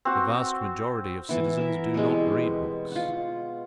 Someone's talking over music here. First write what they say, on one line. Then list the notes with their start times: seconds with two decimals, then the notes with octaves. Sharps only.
The vast majority of citizens do not read books.
0.05 C4 F#4
1.29 E3 B3 E4
1.57 E4 A#4 E5
1.94 B2 G3 G#3 C4
2.92 F4 F#5